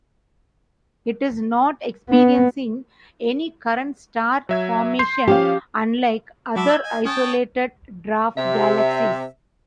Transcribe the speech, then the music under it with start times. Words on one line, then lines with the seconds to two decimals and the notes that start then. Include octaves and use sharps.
It is not experiencing any current star formation, unlike other isolated dwarf galaxies.
2.09 B3
4.49 F#3 E5 G#6
4.99 C6 G6 C7
5.28 F3 C#4 G4 F5
6.56 F#3 E5 A5 B5 D6
6.68 D#5 E6 G6 G#6
6.84 D#5 G#5
7.05 C#4 C#5 G5 A5 D#6
8.37 C3 E5